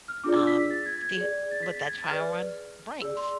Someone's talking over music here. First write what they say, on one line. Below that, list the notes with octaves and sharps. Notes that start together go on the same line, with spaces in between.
um, see what that trial run brings,
F6
D4 F4 G#4 D5 D6
E6
B6
B6
A6
G#6
G#6
G#4 D5
A6
B6
A6
G#6
A6
G#4 B4 D5 F6
G#4 D5 E6
C6